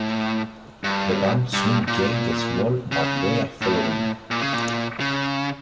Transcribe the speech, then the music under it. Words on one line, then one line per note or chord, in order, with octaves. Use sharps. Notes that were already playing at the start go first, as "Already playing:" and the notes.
The band soon gained a small but loyal following.
Already playing: A2
G2
G2
A#2
C#3
A2
A#2
C#3
A#2
C#3